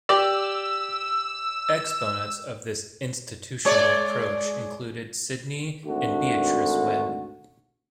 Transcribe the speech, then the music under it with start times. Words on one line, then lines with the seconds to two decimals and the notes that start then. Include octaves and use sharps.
Exponents of this "institutional" approach included Sidney and Beatrice Webb.
0.09 G4 D5 E6
3.65 G#3 C#5 D5
5.86 G#1 D2 D3 A3 F#4